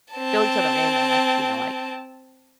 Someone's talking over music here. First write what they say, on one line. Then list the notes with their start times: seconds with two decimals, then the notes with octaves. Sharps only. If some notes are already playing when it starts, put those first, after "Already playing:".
fill each other in on, like, you know, like,
0.14 C4 A5